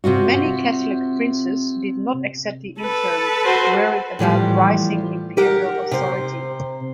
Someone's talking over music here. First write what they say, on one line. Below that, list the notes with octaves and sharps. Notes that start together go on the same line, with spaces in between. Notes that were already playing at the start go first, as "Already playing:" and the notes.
Many Catholic princes did not accept the Interim, worried about rising imperial authority.
C3 C4 F4 F#4
A4 B4
F#4 C5
A2 E3 F3 G3
G4 A#4 F#5
C3 C5